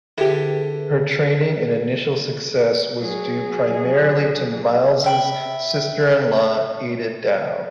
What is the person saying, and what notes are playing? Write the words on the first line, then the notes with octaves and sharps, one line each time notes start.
Her training and initial success was due primarily to Miles's sister-in-law Ada Dow.
D3 E4 G4 G#4 B4
F#3 G#4
E5 G5 B5